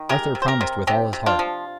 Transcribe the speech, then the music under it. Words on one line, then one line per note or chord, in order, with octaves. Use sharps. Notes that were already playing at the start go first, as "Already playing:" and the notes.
Arthur promised with all his heart.
Already playing: D#3
G#3 G4 A#4
C3
C5
G4 A#4
C3
C3 D#4 G4
C3
D4 F4
F3